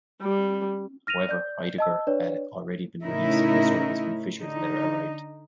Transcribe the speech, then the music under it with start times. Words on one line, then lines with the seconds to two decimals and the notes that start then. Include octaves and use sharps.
However Heidegger had already been released from service when Fischer's letter arrived.
0.21 G3
1.07 F6 A#6 D#7 F7
1.29 D5 G6
1.78 D#5 A5 E6
2.07 D4 B4 C#5 D5
3.04 A2 C#3 C#4 D#4 E4 A#4
4.38 D3 D#4